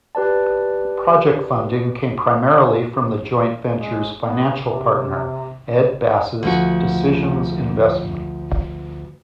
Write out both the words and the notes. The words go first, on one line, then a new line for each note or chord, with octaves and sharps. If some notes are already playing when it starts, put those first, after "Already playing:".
Project funding came primarily from the joint venture's financial partner, Ed Bass's Decisions Investment.
G4 B4 D5 A5
G#3
B3
C3
D2 F3 F#4